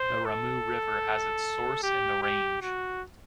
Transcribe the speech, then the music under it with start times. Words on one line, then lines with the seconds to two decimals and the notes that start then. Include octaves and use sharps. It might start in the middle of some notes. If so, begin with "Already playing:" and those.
The Ramu River has its source in the range.
Already playing: C5
0.25 A4
1.83 G4
2.23 G4
2.62 F#4